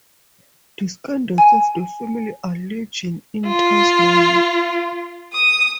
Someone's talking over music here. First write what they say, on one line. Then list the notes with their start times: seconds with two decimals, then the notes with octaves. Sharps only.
Descendants of the family are legion in Tasmania.
1.38 G#5
3.47 F4
5.33 D#6